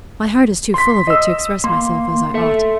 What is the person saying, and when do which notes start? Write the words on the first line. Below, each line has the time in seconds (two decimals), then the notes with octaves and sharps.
My heart is too full of it to express myself as I ought.
0.74 C6 B6
1.07 D#5 E6
1.64 A#3 C6
2.34 A4 E5